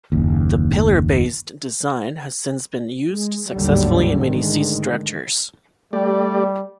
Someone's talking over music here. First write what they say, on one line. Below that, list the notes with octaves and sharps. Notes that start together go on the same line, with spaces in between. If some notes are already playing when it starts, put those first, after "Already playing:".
The pillar-based design has since been used successfully in many sea structures.
F#1 D#2
G#3
G#1 D#2 A2 D3 F#3 G3
G#2 D3 D#3 G#3 A3
G3 A3 G4 D5